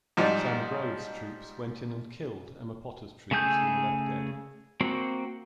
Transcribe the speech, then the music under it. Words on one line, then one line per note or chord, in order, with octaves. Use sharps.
Sam Grove's troops went in and killed Emma Potter's troops who were left dead.
G#2 F3 G3 D#4
C#3 A3 G#4 G6
A#3 C4 F#4